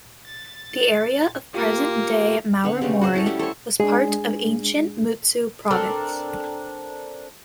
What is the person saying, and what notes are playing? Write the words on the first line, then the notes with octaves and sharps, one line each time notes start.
The area of present-day Marumori was part of ancient Mutsu Province.
A6
A#3 F4 G4
D3 B3 C#6
C#3 G3 A3 C4
F#4 G#4 C5
C#4 E4 A4
G3 A3 C#4 E5
A4 C5 C#5
G#3 D4 G#4
C4 D4 A4 A#4